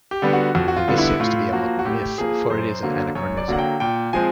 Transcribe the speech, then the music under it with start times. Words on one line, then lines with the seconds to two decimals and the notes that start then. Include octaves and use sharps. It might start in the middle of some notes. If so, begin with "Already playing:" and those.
But this seems to be a modern myth, for it is an anachronism.
0.11 G4
0.22 D3 G3 B3
0.33 F#4
0.55 F2 F#4
0.68 F#4
0.76 F4
0.88 D3 G3 B3
0.98 E4
1.20 A2 F4
1.52 F3 A#3 F#4
1.79 F#4
1.85 A2 G4
2.18 F3 A#3 G#4
2.50 F#2 C5
2.83 D3 F#3 A#3
3.15 F#2 C#5
3.37 D5
3.48 D3 F#3 A#3 F#5
3.59 G5
3.80 A#2 G5
4.13 F3 G#3 C4 G#5